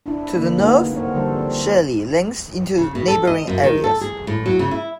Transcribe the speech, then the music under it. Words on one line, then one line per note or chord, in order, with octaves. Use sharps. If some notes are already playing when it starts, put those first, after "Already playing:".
To the north, Shirley links into neighbouring areas.
D4 E4
D3 A#3
A#3 B3 D#4 F#4 G#4
A3 C4 A#4 C#5
D3 F3 G3 A4 C5
C4
C#3
B2
A4
D#5
F#2
D#3
A4
G#4
A2
F#3
C#3
E4